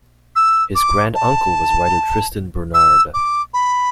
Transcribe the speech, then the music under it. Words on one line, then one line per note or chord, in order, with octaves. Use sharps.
His grand-uncle was writer Tristan Bernard.
E6
D6
A5
E6
D6
B5